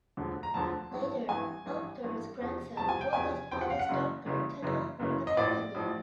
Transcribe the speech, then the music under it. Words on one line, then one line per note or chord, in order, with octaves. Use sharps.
Later, Oetker's grandson Rudolf August Oetker took over the company.
E1 D2 D3 F3
A#5
E1 D2 D3 F3 A5
G#1 G2 E3
G#1 G2 E3 G#5
G#1 G2 E3
G#1 G2 E3
E2 C3 F3
E2 C3 F3 A5
G#5
G5
E2 C3 F3 G#5
E2 C3 F3 G5
F#5
F5
F#5
F#1 F#2 C#3 E3
F#1 F#2 C#3 E3
F#1 F#2 C#3 E3
F#1 F#2 C#3 E3
D#5
A1 A2 F3 D5
A1 A2 F3